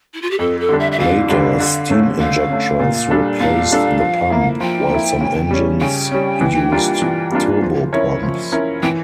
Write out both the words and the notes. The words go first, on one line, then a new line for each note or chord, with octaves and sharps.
Later, steam injectors replaced the pump while some engines used turbopumps.
E4
F4
G4
F2 A4
A4
D3 G3 D4
E5
E5
F2 F5
D3 G3 D4
D3
A3 C#4
D3 F5
A3 C#4
A#2
G3 D4 A4
A#2 F5
G3 D4 A4
F3
A#3 E4
F3 G5
A#3 E4
C#3
G3 C#4
C#3 G5
G3 C#4
E3
G3 A#3 D4 F4
E3
G3 A#3 D4 F4
F3
C#4 E4 A#4 C#5
F3
C#4 E4 A#4 C#5
E3 G5